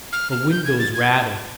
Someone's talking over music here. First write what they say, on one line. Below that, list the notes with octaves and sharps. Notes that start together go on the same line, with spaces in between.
The windows rattled.
F6
F6
G6
G#6
A6
G#6